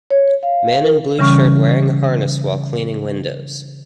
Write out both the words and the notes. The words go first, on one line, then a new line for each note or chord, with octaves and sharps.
Man in blue shirt wearing a harness while cleaning windows.
C#5
F5
A#4
C#3 E3 G3 C#4 C#6 F6